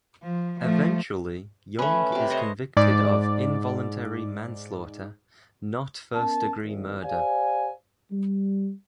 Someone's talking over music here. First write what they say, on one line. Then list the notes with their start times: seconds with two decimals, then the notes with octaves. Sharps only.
Eventually Young is convicted of involuntary manslaughter, not first degree murder.
0.23 F3
0.61 F3 A3
1.79 A3 C#4 B4
2.12 C3 D6
2.30 C5 C#5 D#5
2.77 G#2 D5
6.15 B3 C#4 A#4 A5
6.65 G#1
7.04 G4 C5 D5 F5 G#5
8.11 G3